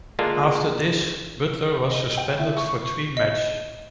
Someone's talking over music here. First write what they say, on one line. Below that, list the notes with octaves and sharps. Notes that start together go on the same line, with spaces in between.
After this, Butler was suspended for three match.
D3 G#3 A#3 D4 F4
D#5
G5
E4
C#6
D#5